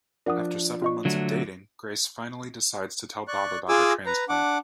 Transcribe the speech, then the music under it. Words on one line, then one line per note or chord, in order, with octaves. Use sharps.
After several months of dating, Grace finally decides to tell Bob about her transplant.
F3 D4 A#4 F#5 D#6
F4 D#5 C#6
D3 F#3 A3
D5 C#6 F#6
F4 G#4 G#5 D6 E6
B4 A#5
D4 F#5 D6